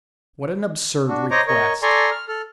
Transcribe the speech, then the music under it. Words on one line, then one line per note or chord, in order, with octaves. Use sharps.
What an absurd request!
D4 F#4
C5 C#5 D#5 A#5 C#6 D6
A#4 C#5 D#5 C#6
A4 D5 G#5 A#5 C6 C#6
F6
A4 F6